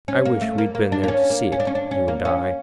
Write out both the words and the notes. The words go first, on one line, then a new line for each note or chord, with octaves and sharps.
I wish we had been there to see it, you and I.
C#4
A#3
A3
A#3
A#3
D4
A#3
C#4
A#3
C#4
D4
C#4
D4
C#4
A#3
C#4